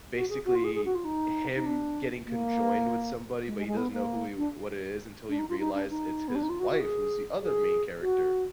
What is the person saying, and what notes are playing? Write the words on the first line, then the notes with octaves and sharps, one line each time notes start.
basically, him getting conjoined with somebody, but he doesn't know who he what it is until he realized it's his wife who's the other main character.
F#4
G#4
F#4
F4
G#4
G#4
F#4
F4
D#4
D#4
D4
A#3
G#3
G#3
G#3
B3
A#3
D4
D4
D#4
F4
D#4
D4
D#4
B3
D4
D#4
F4
F#4
F#4
G#4
G#4
F#4